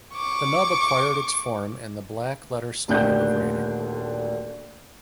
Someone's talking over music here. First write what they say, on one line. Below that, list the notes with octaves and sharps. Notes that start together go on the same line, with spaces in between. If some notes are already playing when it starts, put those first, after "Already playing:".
The nub acquired its form in the blackletter style of writing.
C#6 D6
D#1 D2 D4 G5 F#6 G6